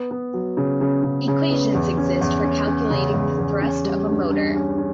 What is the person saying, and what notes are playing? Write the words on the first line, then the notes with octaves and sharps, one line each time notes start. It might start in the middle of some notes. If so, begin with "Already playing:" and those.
Equations exist for calculating the thrust of a motor.
Already playing: B3
B3
F#3
C#3
C#3
C#3
C#3
B3
E2
C#4
E2
C#4
C#4
C#3
E2
E2
C#4
G3
G2
G2
C#4
C#4